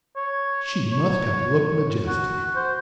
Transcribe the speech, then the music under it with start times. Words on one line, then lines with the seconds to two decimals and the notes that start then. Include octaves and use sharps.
She must have looked majestic.
0.16 C#5
0.92 C#5
2.07 F#4
2.56 C5